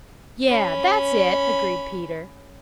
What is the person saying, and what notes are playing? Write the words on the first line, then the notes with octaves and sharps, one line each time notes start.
"Yes, that's it," agreed Peter.
C#4 B5